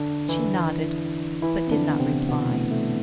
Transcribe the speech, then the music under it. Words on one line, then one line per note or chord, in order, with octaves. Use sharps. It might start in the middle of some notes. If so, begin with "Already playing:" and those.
She nodded, but did not reply.
Already playing: D3 D4
E3 E4
E3 E4
C4
D3 D4
B3
C3 C4
B2 B3
A3
A3